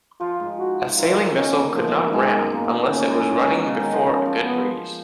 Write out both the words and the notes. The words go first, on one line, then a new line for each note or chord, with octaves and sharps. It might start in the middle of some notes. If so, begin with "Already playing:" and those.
A sailing vessel could not ram unless it was running before a good breeze.
F3 F4
G#2
F#4
D#3 F#3 F4
F3
D#3
B2 C#4
A#2
F#2
G#2 F3
B2
G#2
F#2
G#2 G#3
F#2
F#2
G#2 A#3
A#2
A#2
G#2 C#4
F#2
G#2
G#2
B2
C#3
D#3 F#3
F3
F3 C#4
F3
B3